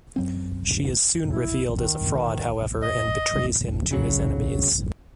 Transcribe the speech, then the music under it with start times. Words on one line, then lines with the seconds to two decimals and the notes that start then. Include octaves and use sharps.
She is soon revealed as a fraud however and betrays him to his enemies.
0.16 F#2 F#3 C4
1.31 E4
1.74 D#3
2.82 D#5
3.91 C#3 F#3